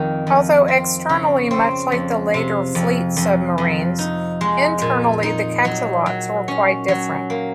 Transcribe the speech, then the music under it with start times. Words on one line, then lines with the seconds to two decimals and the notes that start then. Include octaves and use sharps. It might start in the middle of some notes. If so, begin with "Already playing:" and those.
Although externally much like the later "fleet submarines," internally the "Cachalot"s were quite different.
Already playing: F2 D#3
0.27 F2
0.68 C4
1.09 C#3
1.51 C4
1.92 F2
2.34 C3
2.75 F2
3.17 F2
3.58 F2
3.99 D#4
4.41 G#3
4.82 A#2
5.23 D#4
5.65 F#3
6.06 F#3
6.48 C#4
6.88 F#3
7.30 A#3